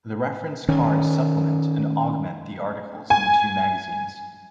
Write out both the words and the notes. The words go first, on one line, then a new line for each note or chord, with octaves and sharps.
The reference cards supplement and augment the articles in the two magazines.
D#3 C#4
G#5